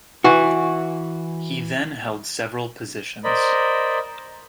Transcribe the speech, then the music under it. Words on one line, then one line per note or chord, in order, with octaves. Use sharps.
He then held several positions.
E3 F#4
A#4 C5 D5 D#5 B5